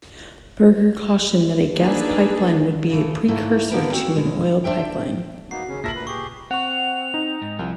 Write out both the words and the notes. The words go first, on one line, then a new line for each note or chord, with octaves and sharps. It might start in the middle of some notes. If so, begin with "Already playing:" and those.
Berger cautioned that a gas pipeline would be a precursor to an oil pipeline.
A#3 D4 D#4 G#4 A4 B4
C#3 E3 A3
G#2 A3 A#3 E4
D3 A#3 B3 F4 A#4 B4
C4 C#4 F#4
B2 G#3
D4 C5 E5 G5
A#3 B3 D#4 F#4 C7
D#2 C#3 C#4
A#2 A#4 E5 A5 A#6 F#7
D2 B4
G4 G#4 C#6
C4 F#5 C#6 F7
D#4
G#2
C2 F3